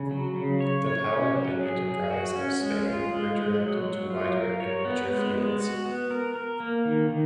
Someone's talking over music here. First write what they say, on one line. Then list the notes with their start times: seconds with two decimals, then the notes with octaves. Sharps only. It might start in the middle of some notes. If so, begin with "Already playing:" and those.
The power and enterprise of Spain were directed to wider and richer fields.
Already playing: C#3
0.11 F#3
0.36 C#3
0.60 C#5
0.86 C#5
1.11 C#4
1.36 F#3
1.61 G#4
1.86 G#4
2.11 F#4
2.36 C#4
2.61 G#3
2.86 F4
3.11 G#3
3.35 G#3
3.60 F#3
3.85 F#3
4.10 F4
4.35 A#4
4.60 C#5
4.85 B3
5.10 G#3
5.35 G#3
5.60 F#4
5.85 B3
6.11 A#4
6.35 A#4
6.60 A#3
6.85 D#3
7.10 D#3